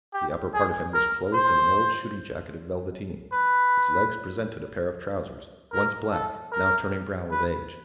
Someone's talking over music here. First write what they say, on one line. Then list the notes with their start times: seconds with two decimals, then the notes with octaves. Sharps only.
The upper part of him was clothed in an old shooting jacket of velveteen; his legs presented a pair of trousers, once black, now turning brown with age.
0.13 G4
0.54 G#4
0.94 A#4
1.33 C5
3.32 B4
5.72 A#4
6.11 A4
6.52 A#4
7.31 B4